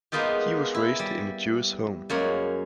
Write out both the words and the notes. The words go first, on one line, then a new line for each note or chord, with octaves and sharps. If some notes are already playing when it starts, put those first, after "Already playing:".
He was raised in a Jewish home.
G#3 A#3 B3 D#4 F4 G4
E4
G3
F#2 G#3 A#3 C#5 F#5